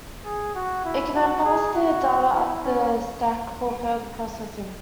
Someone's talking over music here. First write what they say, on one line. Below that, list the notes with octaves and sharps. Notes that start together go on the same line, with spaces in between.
It can then pass their data up the stack for further processing.
G#4
F#4
E4
F#4
G#4
F#4
E4
C#4